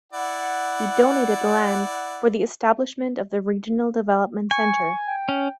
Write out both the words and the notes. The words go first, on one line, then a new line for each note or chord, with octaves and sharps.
He donated the land for the establishment of the "Regional Development Center".
E4 D5 F#5
G#5 C#6
G5
C#4